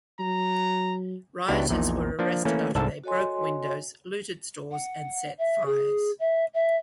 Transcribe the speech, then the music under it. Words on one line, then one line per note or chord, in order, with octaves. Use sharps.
Rioters were arrested after they broke windows, looted stores and set fires.
F#3 A#5
C#2 B3 D4 E4 F#4 G4
A#1 E2 A#2 D#4
F3 A#3 D4
E3 A3 A#3 C#4
C2 G#2 D4 A4 E5 A5
F#4 A4 C#5 D#5 G#5 C6
F#5
E5
G#4
E5
E5